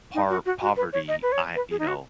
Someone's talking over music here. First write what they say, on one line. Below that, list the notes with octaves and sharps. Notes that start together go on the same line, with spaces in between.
par poverty, I you know,
D#4
F#4
F#4
F#4
B4
C#5
D#5
B4
C#5
B4
G#4
D#4
F#4